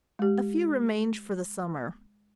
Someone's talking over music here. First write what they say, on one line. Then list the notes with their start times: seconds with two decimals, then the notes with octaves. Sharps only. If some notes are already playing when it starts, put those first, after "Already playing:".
A few remained for the summer.
0.19 G#3 G4